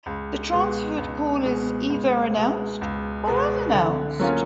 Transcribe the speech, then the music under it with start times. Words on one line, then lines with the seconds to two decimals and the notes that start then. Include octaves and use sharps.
The transferred call is either announced or unannounced.
0.06 C#2
0.52 B2 G#3 B3
0.98 C#2
1.44 B2 G#3 B3
1.90 C#2
2.36 B2 G#3 B3
2.81 C#2
3.27 B2 G#3 B3
3.73 D3
4.20 F#3 A#3 C#4 F4